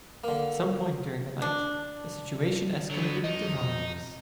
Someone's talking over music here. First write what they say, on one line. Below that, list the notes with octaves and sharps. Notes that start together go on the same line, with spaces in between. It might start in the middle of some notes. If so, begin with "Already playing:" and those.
At some point during the night, the situation escalated into violence.
D3 A#3
D4
D3 F#3 B3
F2 D#4 D#5